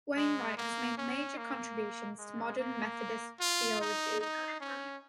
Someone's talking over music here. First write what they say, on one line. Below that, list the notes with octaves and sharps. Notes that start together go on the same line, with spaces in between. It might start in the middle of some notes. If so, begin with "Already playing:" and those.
Wainwright has made major contributions to modern Methodist theology.
G#3
A#3
C#4
A#3
G#3
A#3
F4
D#4
D#4
C#4